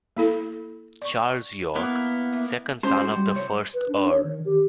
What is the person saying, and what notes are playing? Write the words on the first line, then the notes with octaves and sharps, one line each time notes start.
Charles Yorke, second son of the first Earl.
A#3 E4 A4
D5 C#6
A#3 B3 E4
E5
G#3 C#4 C5
F#4
G3
C2 C#5
B4
D4
C#5
D#3
G4